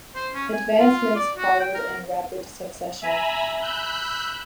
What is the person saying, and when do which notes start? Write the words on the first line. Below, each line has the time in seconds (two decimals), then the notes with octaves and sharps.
Advancements followed in rapid succession.
0.15 C5
0.34 C#4
0.52 G#5
0.79 F4
1.15 D5
1.36 F#4
1.60 G5
1.75 A#4
3.01 E5 G#5 A#5 B5
3.62 B5 E6 F#6 G6